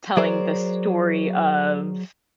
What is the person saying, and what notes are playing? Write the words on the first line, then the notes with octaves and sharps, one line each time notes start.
telling the story of
F#3 G#4 A#4 C5 D5